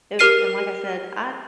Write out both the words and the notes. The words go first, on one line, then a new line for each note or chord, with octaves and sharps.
It w and like I said, I
G4 A#4 F6 C7 D#7